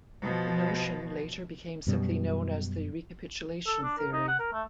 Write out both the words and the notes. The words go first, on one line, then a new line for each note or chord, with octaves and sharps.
The notion later became simply known as the recapitulation theory.
B2 F3
F#2 B2 G3
A4
D4
A#4
D#4
F#5
A#4
A3